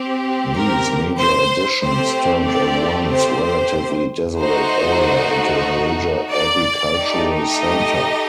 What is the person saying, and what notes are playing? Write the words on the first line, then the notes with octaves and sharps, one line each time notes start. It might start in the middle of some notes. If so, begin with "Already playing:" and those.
These major additions turned a once relatively desolate area into a major agricultural center.
Already playing: C4 G4
A#4
C5
A3 C4 G4 C5
D5
C5
A3 D#4 F#4 C5
D5
A3 D#4 G4
D#5